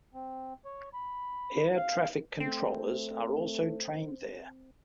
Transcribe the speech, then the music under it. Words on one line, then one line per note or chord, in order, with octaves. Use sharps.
Air traffic controllers are also trained there.
C4
C#5
B5
F5
A3 C4